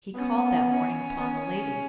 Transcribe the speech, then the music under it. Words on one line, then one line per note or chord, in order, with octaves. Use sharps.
He called that morning upon the lady.
B3 C#4
C#4
B3